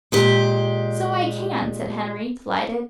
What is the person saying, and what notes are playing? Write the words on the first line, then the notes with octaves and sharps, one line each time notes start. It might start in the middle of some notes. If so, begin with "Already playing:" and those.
"So I can!" said Henry, delighted.
A#2 G#3 G4